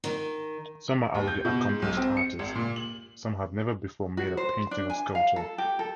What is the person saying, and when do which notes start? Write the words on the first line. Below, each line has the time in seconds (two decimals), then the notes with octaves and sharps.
Some are already accomplished artists; some have never before made a painting or sculpture.
0.04 D#3
1.15 D#2
1.28 G6
1.45 B2
1.69 G#2
1.82 B1
1.97 C4
2.17 C#7
2.39 G#1
2.55 A#2
2.76 F#7
4.17 F#4
4.37 C5
4.71 D4
4.90 G#5
5.15 F5
5.36 A4
5.58 G4
5.79 A4